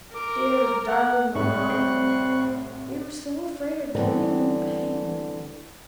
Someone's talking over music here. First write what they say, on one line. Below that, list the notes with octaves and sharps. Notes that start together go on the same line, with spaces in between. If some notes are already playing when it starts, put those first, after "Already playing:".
'Dear, darling mamma! we were so afraid of giving you pain.
A#4 D6
F#5
C2 A2 G3 C#5 C#6 F#6
C4
D2 D3 E3 G3 B3 C4